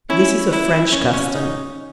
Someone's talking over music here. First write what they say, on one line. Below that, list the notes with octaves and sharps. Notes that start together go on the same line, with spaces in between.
This is a French custom.
C#4 E4
E4
C#4
C#4
D#4